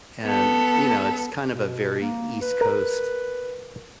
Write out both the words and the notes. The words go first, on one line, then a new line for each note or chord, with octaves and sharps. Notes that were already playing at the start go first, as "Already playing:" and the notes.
And, you know, it's kind of a very East Coast
B3 A4
B2
A#3
B4
A#4